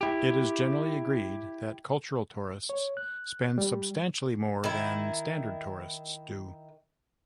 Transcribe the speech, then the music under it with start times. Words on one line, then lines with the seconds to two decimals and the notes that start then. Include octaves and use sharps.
It is generally agreed that cultural tourists spend substantially more than standard tourists do.
0.01 E4 G4
2.69 C#5
2.97 F#6
3.58 G3
4.64 D#3 E4